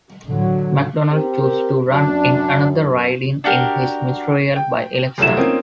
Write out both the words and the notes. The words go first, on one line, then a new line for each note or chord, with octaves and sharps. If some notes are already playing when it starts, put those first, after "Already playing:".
Macdonald chose to run in another riding in his ministerial by-election.
A2 D3 F#3
C4 G4 A#4
F#2 D4
D4 F#4 G4 A#4
G5
F1 C2 F#3 A3 E4 E7
A#3 C4 C#4 D#4 F4